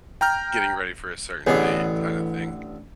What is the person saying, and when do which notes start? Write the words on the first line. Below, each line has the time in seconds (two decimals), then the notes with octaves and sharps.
getting ready for a certain date kinda thing.
0.21 G5 A#5 F6 G6
1.47 A1 D3 E3 B3 G#4 C#5 D#5 D#6